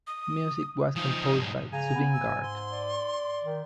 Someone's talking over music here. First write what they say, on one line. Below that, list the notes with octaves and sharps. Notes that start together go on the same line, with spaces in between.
Music was composed by Zubeen Garg.
D#6
F3 D#4 D#6
B1 G#2
C#3 G#5 A#5
B3
G#2 E6
C6
D5
D#3